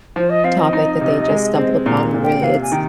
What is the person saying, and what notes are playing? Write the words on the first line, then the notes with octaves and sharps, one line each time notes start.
topic that they just stumbled upon when really it's
F3 C5
D#5
C4 F5
D#5
D#4
C3
G#3
C4
A#2 A#5
A#2
G5
C3 F5
G#5
D#3 G5